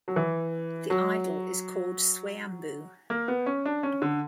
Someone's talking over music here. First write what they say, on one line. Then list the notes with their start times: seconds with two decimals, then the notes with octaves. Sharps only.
The idol is called "Swayamboo".
0.08 F#3
0.16 E3
0.90 F#3
3.10 A#3
3.28 B3
3.46 C#4
3.66 D4
3.83 C#4
4.02 D3